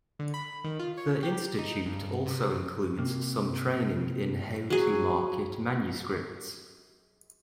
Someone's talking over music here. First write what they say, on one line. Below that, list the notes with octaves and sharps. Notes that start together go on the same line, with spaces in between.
The institute also includes some training in how to market manuscripts.
D3
B5
D#3
F4
C#5
G4
D#4
G2
C3
C3 A#3
F#3 G#4